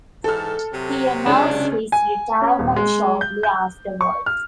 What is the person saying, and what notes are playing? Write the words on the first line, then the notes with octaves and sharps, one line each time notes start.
He announced his retirement shortly afterward.
G#2 E3 A4 A5 F6
C3 F#3
C#2 C#4 D4
G#5
C#4
D#1
G#3
G6
G6
C#6
F6